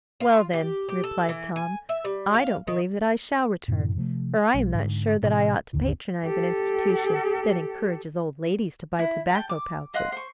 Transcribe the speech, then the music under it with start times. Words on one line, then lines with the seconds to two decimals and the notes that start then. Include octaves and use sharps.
"Well, then," replied Tom, "I don't believe that I shall return, for I am not sure that I ought to patronize an institution that encourages old ladies to buy tobacco pouches."
0.20 F4
0.53 G4
0.89 G4
1.03 A4
1.29 E3
1.56 G#5
1.89 E5
2.04 G3
2.34 F5
2.67 D#3
3.68 F#2 A2 C3 E3
3.96 C3 F3 G3 A3
4.54 B1 G3
4.74 G#2 D3
5.22 A2 C3 E3
5.73 G#1 D#2 D3 E3
6.24 G4 A4
8.99 E4
9.31 G5 A5
9.49 D6
9.94 D#5 F5 F#5 C6
10.12 C5 C#6